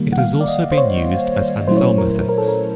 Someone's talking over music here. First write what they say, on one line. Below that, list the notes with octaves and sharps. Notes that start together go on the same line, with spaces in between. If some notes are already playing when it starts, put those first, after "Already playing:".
It has also been used as anthelminthics.
Already playing: D#3 G3 A#3
F#5
F5
D5
D#5
C5
C#5
A#2 F#3 A3 C#4 E4 C5
C#5
C5
A#4
A#4
A4
A#4